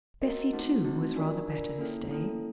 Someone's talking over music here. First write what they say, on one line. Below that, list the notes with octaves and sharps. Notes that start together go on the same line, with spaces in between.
Bessy, too, was rather better this day.
F#4 A#4 D#5
A3 C4 D#4 F#4
A3 C4 D#4 F#4
D4 F4 A#4 D5
D4 F4 A#4 D5
A#3 C#4 E4 A4
A#3 C#4 E4 A4